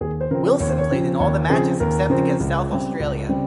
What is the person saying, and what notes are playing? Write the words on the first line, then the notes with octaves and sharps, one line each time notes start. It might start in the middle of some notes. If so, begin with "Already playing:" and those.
Willson played in all of the matches except against South Australia.
D#2 G#4
C5
C#3 F3 C4 A#4
D#2 C#5
C5
C#5
C#3 F3 C4
D#2 C#5
C#3 F3 C4 G#4
D#2 A#4
C#3 F3 C4
C#2
C#3 G3 C4
C#2
C#3 G3 C4